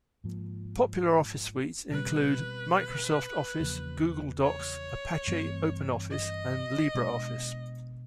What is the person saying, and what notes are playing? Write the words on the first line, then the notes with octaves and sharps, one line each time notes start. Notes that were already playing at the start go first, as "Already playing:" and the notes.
Popular office suites include Microsoft Office, Google Docs, Apache OpenOffice, and LibreOffice.
G#2 F3 A#3
B2 G3 C4 B4
E2 C#3 F3 A#3
C#5
G2 E3 A3 C4
D#5
B2 G#3 B3 D4